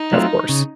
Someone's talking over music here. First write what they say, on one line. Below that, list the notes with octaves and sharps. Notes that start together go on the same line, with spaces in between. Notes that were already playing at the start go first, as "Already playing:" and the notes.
Of course.
Already playing: D#4
F#3 A3 C4 F4
C#3